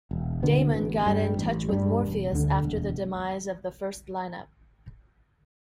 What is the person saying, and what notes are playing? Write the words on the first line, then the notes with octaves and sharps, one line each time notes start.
Daemon got in touch with Morfeus after the demise of the first line-up.
E1
D2 D3 B3
A1
G2 G3
A1
G2 G3
E1
D2 D3
E1